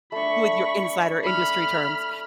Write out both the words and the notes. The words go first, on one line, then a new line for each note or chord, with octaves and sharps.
With your insider industry terms.
A3 D4 B5 C#6
B5 F6